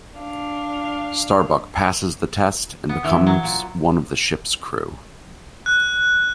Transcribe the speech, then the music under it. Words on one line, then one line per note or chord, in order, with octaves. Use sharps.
Starbuck passes the test and becomes one of the Ship's crew.
D4 F5
B3
E3
F#3
A#2
F#6